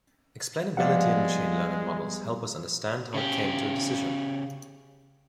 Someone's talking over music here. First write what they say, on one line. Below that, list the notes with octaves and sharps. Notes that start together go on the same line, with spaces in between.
Explainability in machine learning models help us understand how it came to a decision.
G1 F3 G3 G#3 B3 D5 F5 F#5
C#3 G4